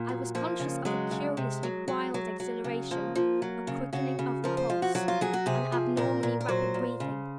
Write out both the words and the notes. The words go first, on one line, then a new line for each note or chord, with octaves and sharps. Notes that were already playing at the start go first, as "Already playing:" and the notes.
I was conscious of a curiously wild exhilaration; a quickening of the pulse; an abnormally rapid breathing.
Already playing: A#2
F#3
F3 A#3
C#3
F#3 G#3
C#3
C3
F#3
F#3
F#3
F#3
C#3
F3 A#3
F3
F#3
C#3
C#3 F#4
C#3
F3 A#4
C5
F3 F4
F#4
F#3 F#4
F4
F#3 G#4
F#4
C3 G#4
F3
A#2 A#4
A#2
A#4
F#3 C5
A#2
C#3